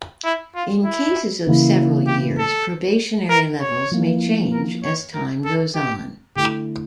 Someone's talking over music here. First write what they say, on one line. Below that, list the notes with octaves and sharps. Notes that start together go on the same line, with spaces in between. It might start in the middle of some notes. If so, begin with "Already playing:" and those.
In cases of several years, probationary levels may change as time goes on.
E4
F4
E4
C#3 E3 A#3 E4
G4
A4
A#4
C#5
F3 A#3 E4
A#4
C#5
A#4
A4
G4
D3 A3 E4 G4